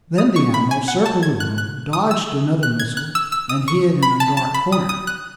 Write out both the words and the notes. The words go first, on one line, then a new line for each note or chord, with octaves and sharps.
Then the animal circled the room, dodged another missile, and hid in a dark corner.
D#6
C#6
B5
G#5
F#5
A5
G#6
F#6
F#6
D#6
E6
F#6
G#6
F#6
E6
E6
D#6
C#6
B5
A5
A5
B5
D#6
D#6
F#6